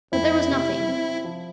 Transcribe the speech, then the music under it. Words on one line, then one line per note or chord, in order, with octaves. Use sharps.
But there was nothing.
F2 E4
C3
C4
F3